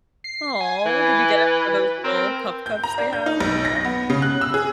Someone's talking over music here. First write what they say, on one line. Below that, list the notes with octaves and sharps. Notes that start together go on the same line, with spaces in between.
Aw, did you get it for those little pup cups they have over there?
C7
G#5
E3 B4
B4
C4 A#4
G6
A#5
D4
G6
D#4
B1
A#6
B3
C#3
F#6
E6
G#4